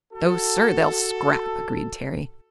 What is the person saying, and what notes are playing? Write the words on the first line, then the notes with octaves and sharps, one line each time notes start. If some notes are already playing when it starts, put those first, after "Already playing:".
"No, sir--they'll scrap," agreed Terry.
F#4 A4